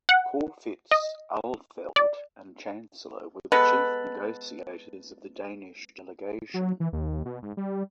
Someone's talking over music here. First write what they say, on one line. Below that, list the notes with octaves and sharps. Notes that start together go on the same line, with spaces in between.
Corfitz Ulfeldt and Chancellor were the chief negotiators of the Danish delegation.
F#5
D#5
D5
G#3 B3 A4 B4
F#3
E3
D#2
B2
G#2
G3